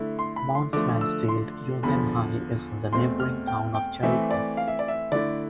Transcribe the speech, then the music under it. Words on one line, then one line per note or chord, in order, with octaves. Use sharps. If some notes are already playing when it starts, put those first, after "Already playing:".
Mount Mansfield Union High is in the neighboring town of Jericho.
Already playing: D3 A3 E4
C6
B5
C6
D3 F3 A3 D6
E6
C6
E2 D3 F3 B5
E2 B2 A3 C4 C6
F6
G5
G5
E3 A3 C4 E5
D5
F5
E5
D5
E5
D3 A3 E4 D5